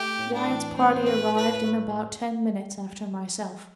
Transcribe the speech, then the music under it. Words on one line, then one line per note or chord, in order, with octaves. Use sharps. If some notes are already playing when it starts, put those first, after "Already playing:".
Wyatt's party arrived in about ten minutes after myself.
Already playing: A3 G4
A2
D4
E3
A2 C4
A3 B4
A2 B4
A3